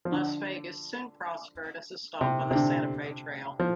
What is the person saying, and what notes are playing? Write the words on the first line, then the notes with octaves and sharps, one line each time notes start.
Las Vegas soon prospered as a stop on the Santa Fe Trail.
F3
D3
C3
C3
D3
F3